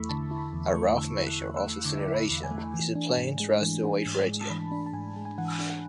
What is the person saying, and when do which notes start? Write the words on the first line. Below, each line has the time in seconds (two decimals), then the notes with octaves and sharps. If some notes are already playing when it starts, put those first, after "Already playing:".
A rough measure of acceleration is a plane's thrust-to-weight ratio.
Already playing: E2 A3 E4 B5 C#6 D6 E6
0.09 D3 A5
0.31 E4
0.38 B5
0.53 E2
0.68 C#6
0.75 A3
0.97 D3 E6
1.19 E4
1.27 F#6
1.41 E2
1.56 E6
1.64 A3
1.85 D3 D6
2.08 E4
2.15 B5
2.30 E2
2.44 G#5
2.51 A3
2.74 E3
2.95 D4
3.17 G#2
3.40 G#3
3.62 E3
3.84 D4
4.06 G#2
4.27 G#3
4.41 A5
4.50 E3 B5
4.71 D4
4.86 A5
4.93 G#2 G#5
5.16 G#3
5.25 G#5
5.38 E3 F#5
5.60 D4
5.70 F#5